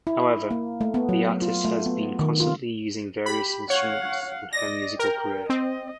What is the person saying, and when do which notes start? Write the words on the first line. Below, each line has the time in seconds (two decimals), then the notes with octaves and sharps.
However, the artist has been constantly using various instruments in her musical career.
0.07 E4
0.51 A#3
0.81 A3
0.94 B3
1.09 F#3
1.42 F4
1.65 A3
1.86 B3
2.19 D#3
2.40 F4
3.26 G4 B5
3.70 C#5 F5 F#5
4.53 D5 D#5 A#6
4.99 A#4 G5
5.50 C4 D#5